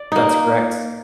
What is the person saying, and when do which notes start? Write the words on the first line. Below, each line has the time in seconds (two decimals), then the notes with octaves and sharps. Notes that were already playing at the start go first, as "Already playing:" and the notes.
That's correct.
Already playing: D5
0.12 A#3 D#4